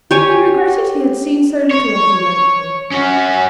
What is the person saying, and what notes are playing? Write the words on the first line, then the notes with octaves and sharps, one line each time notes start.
He regretted he had seen so little of you lately.
G4 C#5 G#5
C#5
C#4 F#4